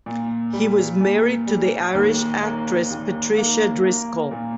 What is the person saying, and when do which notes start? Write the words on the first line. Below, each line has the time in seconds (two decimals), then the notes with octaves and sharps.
He was married to the Irish actress Patricia Driscoll.
0.06 A#2
0.53 G3
1.01 A#2
1.47 G3
1.95 D#2
2.42 A#3
2.90 D#2
3.38 A#3
3.84 A#3
4.31 A#2